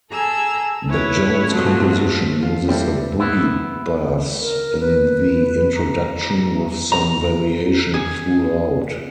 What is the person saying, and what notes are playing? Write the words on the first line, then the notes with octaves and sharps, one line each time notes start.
The Jones composition uses a boogie bass in the introduction with some variation throughout.
G#4 A4 A#5 E6
E4 B4 C#5
G2 F3 F#3 A3 C4
F4
G3 C4 D4 E4 F4 A4
B3 E4
A#4
B4
A#5
A#5
G#4